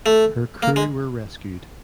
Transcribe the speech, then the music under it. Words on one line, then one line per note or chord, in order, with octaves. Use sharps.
Her crew were rescued.
A3
A#3
G#3